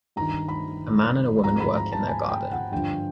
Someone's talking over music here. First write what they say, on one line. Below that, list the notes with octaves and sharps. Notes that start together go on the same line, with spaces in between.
A man and a woman work in their garden.
G2 D#3 A#5
B5
G#2 F3 A#5
B5
A#5
A5
G#5
G5
F#5
G2 D3 F3 G5